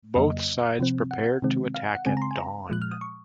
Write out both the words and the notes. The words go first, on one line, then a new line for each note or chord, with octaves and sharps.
Both sides prepared to attack at dawn.
F2 C#3 F#3 A#3 D#5
C3 F3 C4
F#5
C3 D#3 G#3 C4
F5
F#5
C#3 G#3 C4 G#5
A#5
C6
G#5
A#5
A#2 F3 G#3 F#6
F6
D#6
C#6